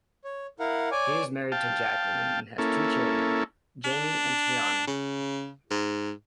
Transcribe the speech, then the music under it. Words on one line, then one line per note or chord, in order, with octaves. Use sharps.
He is married to Jacqueline and has two children, Jaimee and Tiahna.
C#5
E4 A#4 F5 F#5
C#5 D5 G#5 D6
F5 G5 A5
A#3 C#4 E4 A4
D4
C#3
G#2